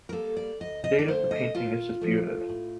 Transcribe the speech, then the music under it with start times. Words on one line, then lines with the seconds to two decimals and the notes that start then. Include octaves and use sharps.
The date of the painting is disputed.
0.09 A#4
0.12 G3 A#3 A4
0.37 D5
0.60 D2 D#5
0.84 D#5
0.99 D5
1.08 D3 A3 C5
1.31 D#5
1.55 A#2 F4
2.01 F3 A3
2.49 A2